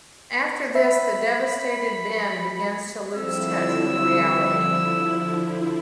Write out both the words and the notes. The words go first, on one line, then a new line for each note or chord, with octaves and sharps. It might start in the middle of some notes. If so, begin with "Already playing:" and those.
After this, the devastated Ben begins to lose touch with reality.
E5 B5
D3 F3 G3 C4 E4 E6